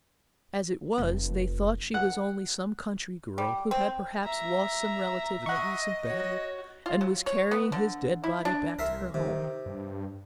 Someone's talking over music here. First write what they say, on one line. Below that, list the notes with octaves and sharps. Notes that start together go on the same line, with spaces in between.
As it was they thought she was only some country girl who had perhaps lost some relative in the recent battle and was carrying his dead body back to her home.
F1
F#5
G3
C4
E5 A#5
D#5 F#5 C#6
F#4 C#5
F4
F#3
C#5
B3
D3
E4
D4
C2 A#4 E5 C6
C3 D#3
G2